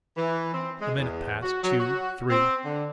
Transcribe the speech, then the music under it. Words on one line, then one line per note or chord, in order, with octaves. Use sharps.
A minute passed--two--three.
E3
C4
G#3
E2
F#4
F#3
F#4
C4
D3